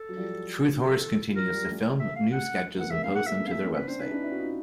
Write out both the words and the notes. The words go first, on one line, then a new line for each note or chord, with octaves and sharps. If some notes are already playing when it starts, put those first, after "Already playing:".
Truthhorse continues to film new sketches and post them to their website.
Already playing: A4
F#3
F3 G3
G#4
F3 A4
F3
F#3 A#4
F3 G3
G3 A3
E5
F5
F#5
A#3
A3 B3 F#5
G#3 A#3 E5
A3 B3 F5
A3 B3 F#5
G#3 A#3 E5
A3 B3
C4 F5
A3 B3 E5
A#3 C4
B3 C#4 B4
C4 D4 C5
C#4 D#4 B4
D4 E4
D4 E4
F#4
D#4 F4